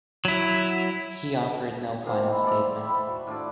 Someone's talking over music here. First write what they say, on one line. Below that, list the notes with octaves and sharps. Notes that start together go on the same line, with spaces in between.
He offered no final statement.
F#3 E4
A#3 C4 D#4 G#4
G#3 E4
A4 C5 D5
E5 G5 B5
F#4
A2 D4 F4 D5